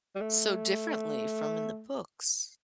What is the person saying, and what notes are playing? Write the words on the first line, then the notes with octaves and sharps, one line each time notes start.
so differently from in the books.
G3
A3